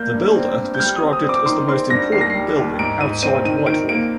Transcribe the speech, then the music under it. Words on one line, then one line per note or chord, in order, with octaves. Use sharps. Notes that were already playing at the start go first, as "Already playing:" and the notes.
"The Builder" described it as the most important building outside Whitehall.
Already playing: A#3 G6
G2
C4
G2
G6
G3 F6
D#6
C4
D#6
C4 D#6
D6
D#3 C6
C4 C6
G2 A#6
D#2 C7
A#6
G3 C7
D#2
G#2 D7
G#2 D#7
C4 D#7
D#3 D#7
D#3 D7
A#3 D7